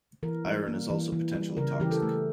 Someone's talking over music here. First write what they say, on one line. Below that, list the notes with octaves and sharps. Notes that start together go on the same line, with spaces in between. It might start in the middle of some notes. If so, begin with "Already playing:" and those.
Iron is also potentially toxic.
E3 A#4
G3
A#3
E3
E3
G3
C#3 A#4
E3 G4
A4
A3